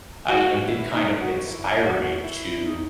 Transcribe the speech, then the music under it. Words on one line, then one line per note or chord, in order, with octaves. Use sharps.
uh, you know, it did kind of inspire me to
F#4
E4
D#4
F#4
E4
F#4
E4
D#4